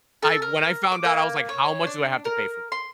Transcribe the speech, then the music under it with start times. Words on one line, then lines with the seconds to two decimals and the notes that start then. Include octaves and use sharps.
I when I found out, I was like, "How much do I have to pay for this?"
0.22 A4
0.42 A#4
0.92 D6
1.05 A#3
1.49 C#5
1.87 D4
2.25 A#4
2.72 C6